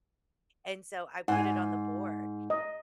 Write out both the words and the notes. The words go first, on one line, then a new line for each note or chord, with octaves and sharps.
And so I put it on the board.
G#2 F#5 G#5
D#5